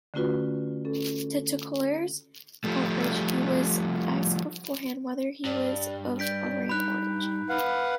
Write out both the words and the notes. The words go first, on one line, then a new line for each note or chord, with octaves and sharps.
To Tolkien's outrage, he was asked beforehand whether he was of Aryan origin.
D3 A3 C#4 F4 F#4 B4
C#4 A4
F3 G3 A3
G2 D5
D5 G6 B6 D7
D#4 B5 F#6
B4 F5 F#5